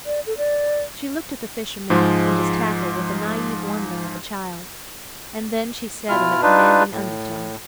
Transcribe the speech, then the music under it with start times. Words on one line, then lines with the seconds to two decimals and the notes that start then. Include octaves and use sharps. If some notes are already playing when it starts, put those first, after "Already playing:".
She looked at the fisherman and his tackle with the naive wonder of a child, and then she said in a commanding undertone.
0.06 D5
0.26 A4
0.38 D5
1.90 G#2 F3 G#3
6.09 B2 E4 F4 F6
6.42 D4 D#4 F4 B4
6.92 A2